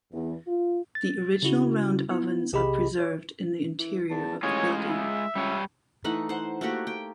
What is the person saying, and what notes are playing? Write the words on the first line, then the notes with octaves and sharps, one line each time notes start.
The original round ovens are preserved in the interior of the building.
E2
F4
A6
C#3 C#4 E4 F#4
B3 E4
B1 C3 G4 G#4 D#5 B5
C#5
E3
E2 A5
A1 G#3 F4 G#4 C#5
E5
C#2 G3 C#5
E3 A3 D#4 F#5
C5 F#5
A3 A#3 F#4 G4
G5